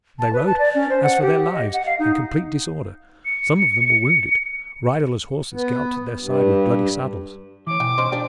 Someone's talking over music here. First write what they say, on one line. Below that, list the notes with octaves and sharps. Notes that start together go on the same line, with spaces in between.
They rode as for their lives, in complete disorder; some of them were wounded; riderless horses galloped at their side with bloody saddles.
A5
B4
A5
D5
C#4
C5
F#5
G4
D#5
F#5
F5
D#4
C#7
B3
G2
E3 C#5 D6
B2 E3 G5
C#4 D#4 C5
F3 D4 D5 G5